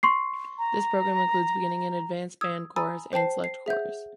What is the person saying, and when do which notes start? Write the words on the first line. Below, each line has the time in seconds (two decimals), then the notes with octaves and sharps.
This program includes Beginning and Advanced Band, Chorus, and Select Chorus.
0.03 C6 C#6 C7
0.59 A#5
2.41 D#6 E6 G#6
2.76 G#5 A#5 B5 D#6 E6 A6
3.13 C5 G5 A5 C7
3.44 C7
3.66 G#4 E5 F#5 G6